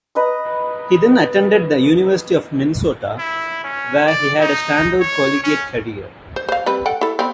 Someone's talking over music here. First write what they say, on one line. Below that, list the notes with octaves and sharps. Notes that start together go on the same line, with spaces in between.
He then attended the University of Minnesota where he had a standout collegiate career.
B4 D#5 A#5 D#6
E4
C#4
D5
D#4
C#5
C#4
C5
C5 F5
G3 C4 B4
A4 F#5 G5
E4 A4
B3 C4